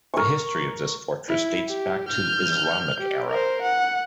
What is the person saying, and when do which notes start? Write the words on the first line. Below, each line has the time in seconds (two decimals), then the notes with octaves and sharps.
The history of this fortress dates back to Islamic era.
0.14 A#4 C#6
1.28 E4
1.68 G4
2.09 F6 G6
3.00 G4
3.31 A#4 C5
3.62 F#5